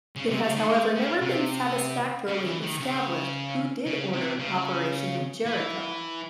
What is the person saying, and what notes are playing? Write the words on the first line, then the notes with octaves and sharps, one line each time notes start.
It has however never been satisfactorily established who did order Operation Jericho.
C#3
C3
C#3
D#3
G#3
C#3
C3
C#3
E3
D#3
C#3
C#3
C3
C#3
E3